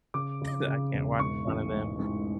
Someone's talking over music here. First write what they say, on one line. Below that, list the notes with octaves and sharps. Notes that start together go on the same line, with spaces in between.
that I can't watch in front of them.
C#3 D6
C#3
C#3
E1
G#2 C#6
A1
G#2
G#2